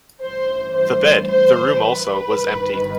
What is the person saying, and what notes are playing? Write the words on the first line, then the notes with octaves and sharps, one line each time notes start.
The bed, the room also, was empty.
A1 G2 E3 C5
C5
C5
B4
G1 G2 D#3